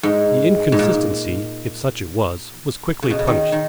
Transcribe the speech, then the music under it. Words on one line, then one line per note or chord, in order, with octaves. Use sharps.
The inconsistency, if such it was, was quickly punished.
G#2
G#2
A#2
C#3
B2
C#3
D#3
D#3